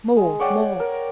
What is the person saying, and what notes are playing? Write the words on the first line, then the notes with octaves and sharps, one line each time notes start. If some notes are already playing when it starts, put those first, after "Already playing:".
More! more!
G#3
C#5 D5 F#5 G5
A#4